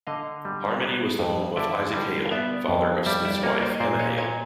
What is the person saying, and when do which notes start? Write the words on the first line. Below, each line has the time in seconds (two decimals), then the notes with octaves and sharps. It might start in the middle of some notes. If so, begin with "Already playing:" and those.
Harmony was the home of Isaac Hale, father of Smith's wife, Emma Hale.
0.07 D3 D#5 F5
0.45 G3
0.82 B3
1.19 F2
1.56 D3 D5 E5
1.94 G3
2.25 F5
2.31 B3 D5 E5
2.68 F2
3.06 G3 D5 E5
3.25 D5 E5
3.37 D5
3.43 A#3 C#5 D#5
3.62 C5 D5
3.75 D#5
3.80 A#2 C5 D5
3.99 C#5 D#5
4.17 A#2 C#5 D#5